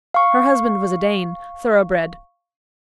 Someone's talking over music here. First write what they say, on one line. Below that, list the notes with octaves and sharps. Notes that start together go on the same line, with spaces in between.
Her husband was a Dane, thoroughbred.
F5 C#6